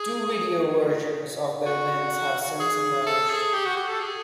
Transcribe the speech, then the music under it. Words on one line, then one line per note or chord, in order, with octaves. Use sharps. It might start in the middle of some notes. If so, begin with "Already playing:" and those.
Two video versions of the events have since emerged.
Already playing: G#4
F#4
G#4
A4
G#4
G4
F#4
G4
A4
G#4